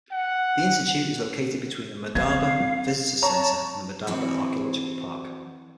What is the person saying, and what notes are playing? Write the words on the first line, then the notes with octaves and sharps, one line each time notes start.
The Institute is located between the Madaba Visitors Center and the Madaba Archaeological Park.
F#5
C4 F5 G#6
C#5 A5 A#5 C#6
E3 C4 F#4